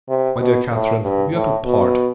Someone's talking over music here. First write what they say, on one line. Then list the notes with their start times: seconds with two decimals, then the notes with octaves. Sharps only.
My dear Catherine, we are to part.
0.09 C3
0.40 B2
0.71 A2
1.02 G2
1.34 A2
1.65 B2